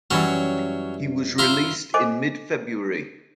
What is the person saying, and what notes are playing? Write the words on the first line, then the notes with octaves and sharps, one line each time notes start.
He was released in mid-February.
F#2 E3 F#3 G3 C#4
E4 F4 A#5
A4 C5 D#5 G#5 D6